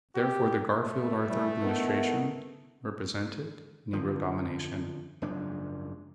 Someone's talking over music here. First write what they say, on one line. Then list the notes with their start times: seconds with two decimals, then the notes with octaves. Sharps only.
Therefore, the Garfield-Arthur administration represented "Negro Domination."
0.15 G4
0.78 A3
1.28 E3 G3
1.61 D#3 E3 B3
3.93 D3 F3
5.22 F#1 G#2 F3 D4